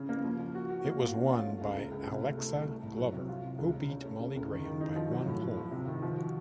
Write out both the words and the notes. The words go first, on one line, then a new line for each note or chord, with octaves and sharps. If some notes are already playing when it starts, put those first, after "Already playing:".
It was won by Alexa Glover who beat Molly Graham by one hole.
Already playing: C#3
A#3
F3
F3
F#4
F#4
A#3
F4
C#4
F4
A3
C#2
C#2
C#2
C3
A3
A3
C2
A3
A2
F#3
C3
F4
C3
C#2
C#3
C#4
A3
C#3
C#2
D#3
D#3
D#4
F3
F#3
A2
F3
F3
C3
D#3
F3
F#4